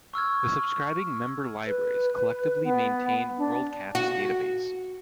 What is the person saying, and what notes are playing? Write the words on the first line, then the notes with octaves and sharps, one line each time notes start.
The subscribing member libraries collectively maintain WorldCat's database.
C#6 E6 F6 G#6
B4
B3
D4
F#4